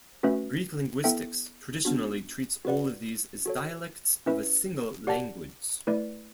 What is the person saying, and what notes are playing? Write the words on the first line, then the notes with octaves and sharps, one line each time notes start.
Greek linguistics traditionally treats all of these as dialects of a single language.
A3 C#4 F#4 B4 E5
B3 E4 A4 E5 G5
B3 D4 F#4
F#4 B4 D5 F#5
F#4 A4 C#5
C#4 E4 B4 E5
G4 D5 F#5 A5
A3 E4 B4 D5